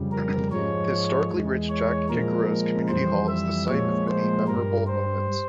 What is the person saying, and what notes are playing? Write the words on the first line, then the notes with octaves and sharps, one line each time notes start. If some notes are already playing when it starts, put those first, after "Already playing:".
The historically rich Jack Kickeros community hall is the site of many memorable moments.
Already playing: F2 C#3 G3
A#4
G#2 F3 G#3 C#5
E2 E3 G#3
C#5
A#2 F3 G#3 A#4
F2 E3 G3 C5
E5
A#2 F3 G#3 C#5
C5
G2 G3 A#4
C5